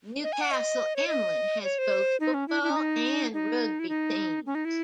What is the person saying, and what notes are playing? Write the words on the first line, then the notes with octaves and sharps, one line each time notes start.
Newcastle Emlyn has both football and rugby teams.
D#5
G#5
F#5
D#5
C#5
D#5
C#5
C5
D#4
C#4
E4
E4
C#4
D#4
D#4
E4
D#4
C#4
D#4
E4